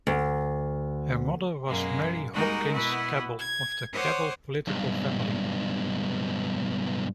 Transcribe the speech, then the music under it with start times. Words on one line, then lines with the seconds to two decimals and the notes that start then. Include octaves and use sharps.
Her mother was Mary Hopkins Cabell, of the Cabell political family.
0.07 D2
1.66 F#2 B2 G#3 A#3
2.33 G3 G#3 A#3 D#4 F#4 A#4
2.72 B2 B3 E4 F#4
3.38 G#6
3.93 C5 C#5 F#5 C6 D6 D#6
4.67 B1 G2